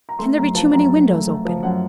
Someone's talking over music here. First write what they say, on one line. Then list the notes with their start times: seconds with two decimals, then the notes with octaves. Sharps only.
Can there be too many windows open?
0.09 A#5
0.19 A3 C6
0.37 F#2 A#5
0.55 F3 A5
0.73 F#2 A#5
0.91 F#2
1.10 A3
1.27 A3
1.45 F3
1.62 F#2 F#5